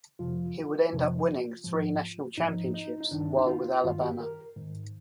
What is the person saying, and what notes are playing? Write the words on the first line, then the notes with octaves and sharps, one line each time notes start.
He would end up winning three National Championships while with Alabama.
F2 C3 F3 F4
F2 C3 F3
G#2 F3
G#2 F3 D#4
D#4
D#4
G2 D#3 D4
D#4
F4
G2 D#3 F4
G4
A#4
G#2 D#3